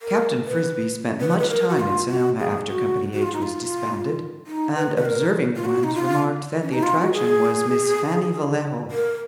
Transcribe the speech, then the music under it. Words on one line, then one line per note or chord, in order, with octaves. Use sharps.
Captain Frisbie spent much time in Sonoma after Company H was disbanded, and observing ones remarked that the attraction was Miss Fannie Vallejo.
A#4
B4
B4
B4
A#4
F#4
F4
F#4
G#4
F#4
F#4
F4
D#4
F4
D#4
B4
B4
A#4
F4
F#4
D#4
F4
C#4
D#4
F4
F#4
G#4
A#4